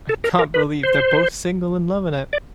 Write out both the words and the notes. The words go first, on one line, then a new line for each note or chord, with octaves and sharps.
I can't believe they're both single and loving it.
A4
A#4
A#4
B4
C5
D5